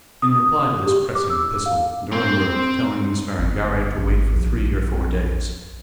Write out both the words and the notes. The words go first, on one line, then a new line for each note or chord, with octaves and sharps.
In reply to this pressing epistle, Durham wrote, telling Miss Berengaria to wait for three or four days.
D#6
G4
D6
E6
F5
C4 C5
G1
G#1
A#1